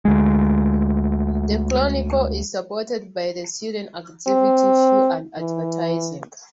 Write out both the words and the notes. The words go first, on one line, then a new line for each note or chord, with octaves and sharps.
"The Chronicle" is supported by the student activity fee and advertising.
D2 G#3
C4
E3